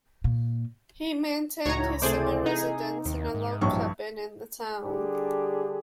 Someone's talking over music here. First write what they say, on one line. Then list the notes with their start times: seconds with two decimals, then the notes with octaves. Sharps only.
He maintained his summer residence in a log cabin in the town.
0.24 A#2
1.66 C#2 A2 D#4 F#4 C#5 A#5
2.02 C3 E3 A3 G#4 C5 D5
2.46 D#4 G#4
3.05 D#2 D#3
3.35 G#2
3.61 A#1 G2 C3 E3 F#3 C#6
4.84 D3 G3 D4 G4 G#4